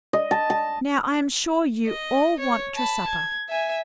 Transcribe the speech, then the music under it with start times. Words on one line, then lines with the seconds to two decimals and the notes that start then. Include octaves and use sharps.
"Now I am sure you all want your supper."
0.13 D#5
0.31 A5
0.50 A5
1.87 D#5
2.40 C#5
2.75 A5 B5
3.08 G#6
3.49 E5 G#5